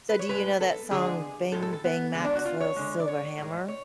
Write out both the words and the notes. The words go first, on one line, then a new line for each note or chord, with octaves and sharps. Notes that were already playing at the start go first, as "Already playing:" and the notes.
So do you know that song, "bang, bang, Maxwell's silver hammer"?
B4
C#5
A2 G#3 B4
A4
D3 F3 G#3 G#4
A2 G#3 A4
A4
A4
B3
D3 G#3 B3
D4
F#4
F4
C#5
D3 G#3
D5
C#5
A2 G#3
C#5